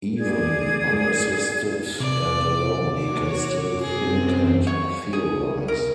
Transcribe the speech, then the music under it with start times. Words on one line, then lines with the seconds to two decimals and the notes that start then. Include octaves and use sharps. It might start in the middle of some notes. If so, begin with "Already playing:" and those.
Even unassisted and alone, he can still think and theorize.
0.18 G#4 D5 G#6
2.00 C3 D5
2.97 F#4 C#5 D6
3.81 F#2 C4 G#4
4.67 C#5
5.13 G#4
5.68 A#4